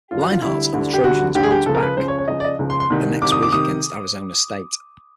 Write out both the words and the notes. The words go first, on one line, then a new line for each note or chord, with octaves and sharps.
Leinart and the Trojans bounced back the next week against Arizona State.
G2 D3 F#3 F4
F#4
F4
D2 D3 G3 E4
D2 D3 G3
G4
D2 D3 G3 F#4
D2 D3 G3 G4
G#4
G4
C#2 C#3 F3 A4
A#4
B4
C#2 C#3 F3 C5
C#5
C#5
C#2 C#3 F3 D#5
D5
D#5
C#2 C#3 F3
C6
C6
C2 C3 D#3
C2 C3 D#3 D6
D#6
D6
C3 D#3 D#6